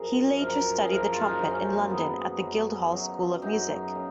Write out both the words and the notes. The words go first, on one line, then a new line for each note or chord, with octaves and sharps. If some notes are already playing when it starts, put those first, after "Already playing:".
He later studied the trumpet in London at the Guildhall School of Music.
Already playing: F#2 F3 G#4 A#4
F#2 F3 A#4
G#4
F#2 F3 A#4
F4
D#4
F#2 C#3 F#3 D#4
C#4
G#3
A#3
F#2 C#3 F#3 B3
F#2 C#3 F#3
F#2 C#3 F#3
F#2 C#3 F#3 D#4
C#3